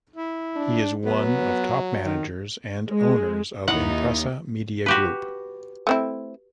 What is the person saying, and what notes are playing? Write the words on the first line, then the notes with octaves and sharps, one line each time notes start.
He is one of top managers and owners of Impresa media group.
E4
D4
F#3 B3
D#3
G#3
D#2 D#4 E4 F#5
F#4 G4 B4
A3 C4 E4